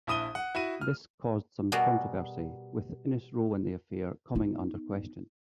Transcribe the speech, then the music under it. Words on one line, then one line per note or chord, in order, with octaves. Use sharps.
This caused some controversy, with Ines' role in the affair coming under question.
A#1 E4 D#6 D#7 G7
F#5
E4 F#4 D#7
F6
B2 G3 F#4 G#4 A#4
B3 D#4